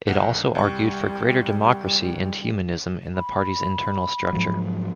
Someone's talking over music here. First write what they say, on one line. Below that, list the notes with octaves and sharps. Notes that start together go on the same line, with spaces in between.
It also argued for greater democracy and humanism in the party's internal structure.
A#1 F#5
C2 G3 C#6
B5
G#2 F3 F#3